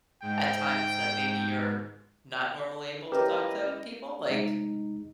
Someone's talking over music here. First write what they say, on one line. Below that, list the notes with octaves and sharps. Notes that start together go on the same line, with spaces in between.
at times that maybe you're not normally able to talk to people? Like
G#2 G5
C#4 E4 G4 A#4 B4 D#5
C3 G#3 D#4